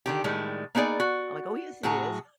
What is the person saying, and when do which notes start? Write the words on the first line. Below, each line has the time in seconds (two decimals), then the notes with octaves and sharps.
I'm like, "Oh, yes, it is."
0.06 D3 D#3 G4
0.24 A2 D#3 G3 G#3
0.75 A#3 B3 D#4 G#4 D5
1.00 F#4
1.83 A2 F#4 G#4 A#5